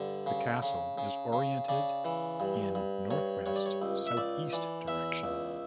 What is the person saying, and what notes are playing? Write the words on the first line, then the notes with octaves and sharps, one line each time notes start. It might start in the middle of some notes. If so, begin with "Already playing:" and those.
The castle is oriented in northwest–southeast direction.
Already playing: G2 D3
C#3
C#3
C#3
C#3
C#3 D5
E3
G2
G2
G2 C#5
G2 C#5
D5
C#5
C#2
E5
C#2 D5
E3 D5
E2 E5
C#2